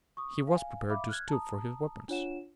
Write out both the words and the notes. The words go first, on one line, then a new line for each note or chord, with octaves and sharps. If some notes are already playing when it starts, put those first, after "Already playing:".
He was prepared to stoop for his weapons.
C#6 D#6
F5 G#5
E5 F5 B5 D6
F6 F#6 G#6
A5 A#5 D#6
D4 F4 C#5 F#5 E7